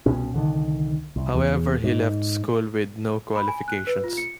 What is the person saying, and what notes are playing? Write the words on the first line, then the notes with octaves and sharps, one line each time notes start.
However, he left school with no qualifications.
C2 B2 C#4
C2 D3 D#3
C2
E2
G#2
B5
G#5
F#6
B4
F4
C#7